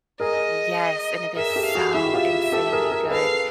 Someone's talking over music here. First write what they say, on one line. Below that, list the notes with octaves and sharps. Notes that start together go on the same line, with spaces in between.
Yes, and it is so insanely good.
G#4 A#4 D#5
G#4 A#4 E5
G4 A4
F5
F#4 G#4
E4 F#4 E5
F4 G4
G4 A4
G#4 A#4
G#4 A#4
A4 B4 F5